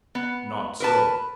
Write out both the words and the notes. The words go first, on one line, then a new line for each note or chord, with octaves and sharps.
Not so.
B3
A#4 B4 A5